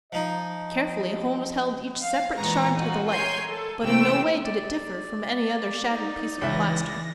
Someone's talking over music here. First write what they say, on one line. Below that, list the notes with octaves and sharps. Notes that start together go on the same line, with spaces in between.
Carefully Holmes held each separate shard to the light, but in no way did it differ from any other shattered piece of plaster.
F3 D#4 D#5
F5
A#2 E3 G#3 B3 A#5 C#6
D#4 F4 F#4
A#4 C#5 G#5 C6 G6
A4
C3 E3 A3 G5 E6
D5
D#4
C#2 E3 E5 A#6